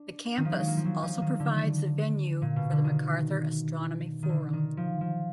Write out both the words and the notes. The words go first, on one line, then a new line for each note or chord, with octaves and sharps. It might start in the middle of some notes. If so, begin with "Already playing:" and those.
The campus also provides the venue for the Macarthur Astronomy Forum.
Already playing: D4
D#3
F3
F#3
G#3
A#3
F3
F#3
F3
D#3
D3
A#2
B2
D3
D#3
D#3
D3
D#3
F3
F3